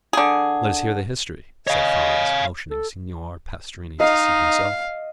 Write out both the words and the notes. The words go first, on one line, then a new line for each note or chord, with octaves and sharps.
"Let us hear the history," said Franz, motioning Signor Pastrini to seat himself.
D3 G#4
C#5 D#5 F5
A4
D#4 D#5 F5